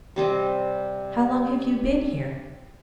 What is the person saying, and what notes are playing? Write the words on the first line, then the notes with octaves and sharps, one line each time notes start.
"How long have you been here?"
C3 G3 C4 D#5